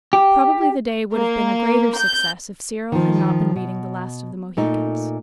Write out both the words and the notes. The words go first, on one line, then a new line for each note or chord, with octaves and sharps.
Probably the day would have been a greater success if Cyril had not been reading The Last of the Mohicans.
G4
A#3
G6
D#3 F3
B2
A#2 A3 D#4